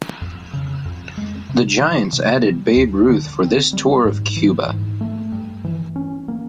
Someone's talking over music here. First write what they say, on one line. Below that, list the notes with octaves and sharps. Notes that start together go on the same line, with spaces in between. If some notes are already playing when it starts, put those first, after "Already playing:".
The Giants added Babe Ruth for this tour of Cuba.
F2
C#3
F2
G#3
C3
E3
C3
G3
D#2
D3
C4
G3
G#2
E3
G#2
A3
G2
E3
C#4
A#3